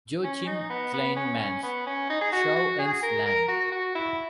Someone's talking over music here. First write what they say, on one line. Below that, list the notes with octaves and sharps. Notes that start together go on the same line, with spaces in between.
Joachim Kleinmanns: Schau ins Land.
C#4
D#4
B3
B3
C#4
C#4
B3
C#4
D#4
G#4
F#4
F#4
G#4
A#4
A#4
F#4
F#4
E4